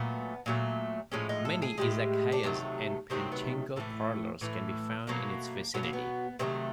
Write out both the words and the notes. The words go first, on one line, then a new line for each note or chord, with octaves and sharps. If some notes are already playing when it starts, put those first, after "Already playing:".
Many "izakayas" and pachinko parlors can be found in its vicinity.
Already playing: A#2 F#3 A3 B3
A#2 F#3 A3
A2 F3 G#3 C#4
D#4
A4
G#4
A2 F3 G#3 G4
D4
C3 D#3 F#3 A3 C#4
C3 D#3 F#3 A3 C4
B3
A2 E3 A3
A2 E3 A3
B2 F#3 A3 A#3
B2 F#3 A3 B3
A#3
B3
C3 D#3 F#3 A3 C4